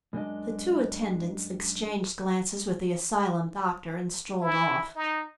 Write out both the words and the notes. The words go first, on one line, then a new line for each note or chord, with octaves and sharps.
The two attendants exchanged glances with the asylum doctor and strolled off.
F#2 G#3 D4 D#5
E4
D#4